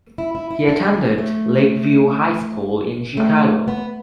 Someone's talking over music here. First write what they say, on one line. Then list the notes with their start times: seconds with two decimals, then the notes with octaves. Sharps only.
He attended Lake View High School in Chicago.
0.18 E4
0.35 E4
0.51 E4
0.68 D4
0.93 D4
1.18 A3
3.17 A3
3.68 B3